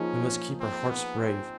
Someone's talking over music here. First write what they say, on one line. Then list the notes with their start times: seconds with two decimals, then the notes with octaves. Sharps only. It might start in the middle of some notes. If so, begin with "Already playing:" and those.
We must keep our hearts brave.
Already playing: F3 A#3 C#4 D#4 G#4
0.60 C4
0.89 B3
1.19 C4